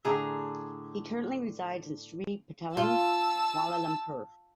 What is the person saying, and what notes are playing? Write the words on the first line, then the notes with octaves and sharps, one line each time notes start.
He currently resides in Sri Petaling, Kuala Lumpur.
A2 D3 G#4 A#5
F4 A5 E6